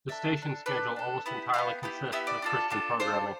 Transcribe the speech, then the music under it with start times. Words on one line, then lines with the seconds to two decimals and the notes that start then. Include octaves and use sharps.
The station's schedule almost entirely consists of Christian programming.
0.09 D4 A4 E5
0.37 D4 A4
0.66 D4 A4 B4
0.96 D4 A4
1.26 B3 E4 G4
1.54 E4 G4 F5
1.58 B3
1.83 B3 E4 G4
2.12 B3 E4 G4 E5
2.27 D5
2.42 D4 F4 A4
2.70 D4 F4 A4
3.00 D4 F4 A4 C5